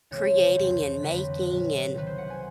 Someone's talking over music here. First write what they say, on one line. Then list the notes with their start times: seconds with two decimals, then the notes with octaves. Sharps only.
creating and making and
0.11 C#2 C3 E3 G#3 C4 C#5
0.56 F2 C3 E3 G#3 C4
1.03 F2 D3 F#3 A3 C4 B4
1.49 A#2 F#3 B3
1.94 C2 C3 D#3 B4
2.07 C5
2.18 F#5
2.30 G#5